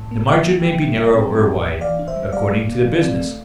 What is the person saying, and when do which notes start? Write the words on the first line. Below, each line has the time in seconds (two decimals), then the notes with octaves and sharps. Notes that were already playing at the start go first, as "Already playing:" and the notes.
The margin may be narrow or wide, according to the business.
Already playing: A2 A5
0.11 A#3
0.27 D3 E5 G5
0.45 A#3
0.62 F3
0.80 G3
0.97 A#2
1.13 C4
1.30 G3
1.47 A2
1.65 A#3
1.81 E3 D5 F5
1.99 D4
2.07 C5 E5
2.16 G3
2.32 G3 D5 F5
2.51 D4
2.67 A#3
2.84 F3
3.01 C4
3.19 A3